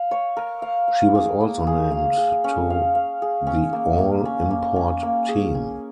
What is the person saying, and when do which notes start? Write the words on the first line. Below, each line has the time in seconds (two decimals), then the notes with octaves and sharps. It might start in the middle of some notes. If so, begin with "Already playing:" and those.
She was also named to the all import team.
Already playing: F5
0.11 C#5
0.37 A#4
0.62 F5
0.88 F5
1.15 G#4
1.41 A#3
1.67 G#4
1.91 F5
2.18 G#4
2.44 C#4
2.70 F5
2.95 F5
3.22 G#4
3.47 C#4
3.73 A#3
3.98 A#3
4.25 C#4
4.51 A#3
4.76 C#4
5.03 A#3
5.29 G#4
5.55 C#4